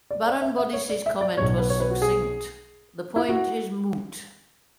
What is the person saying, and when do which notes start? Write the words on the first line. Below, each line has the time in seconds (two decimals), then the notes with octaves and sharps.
Baron Bodissey's comment was succinct: "The point is moot".
0.11 D5
0.27 D5
0.42 E5
0.58 E5
0.73 C#5
0.90 D5
1.06 E5
1.21 D5
1.37 B1 B2 F#3 C#5
1.58 B4
1.70 C#5
1.80 B4
1.90 F#4
2.02 G#4
3.16 E4
3.29 F#4